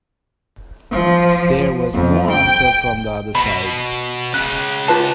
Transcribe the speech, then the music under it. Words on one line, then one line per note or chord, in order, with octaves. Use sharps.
There was no answer from the other side.
F3
F2
G5
B2 B5
C#2 C#3 F#6
F4 B4 A5